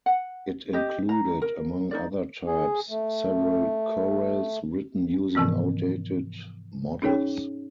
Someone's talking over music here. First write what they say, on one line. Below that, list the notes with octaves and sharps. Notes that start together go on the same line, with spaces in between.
It included, among other types, several chorales written using outdated models.
F#5
G4 D#5
A#5
A#4
D#4 A#4 D5
G#4
A3
G#2 C3 E3 F3 B3
C#4 D#4 G#4 C#5 G5